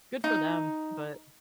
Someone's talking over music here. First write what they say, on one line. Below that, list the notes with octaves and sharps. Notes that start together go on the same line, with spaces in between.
good for them. But
D#4